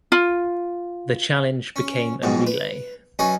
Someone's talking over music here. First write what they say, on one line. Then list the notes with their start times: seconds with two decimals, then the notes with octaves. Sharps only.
The challenge became a relay.
0.12 F4
1.76 C#4
2.23 B1 F2 G#2 B2
2.47 B4
3.19 F#2 C#4 D#4 B4 G#5 A#5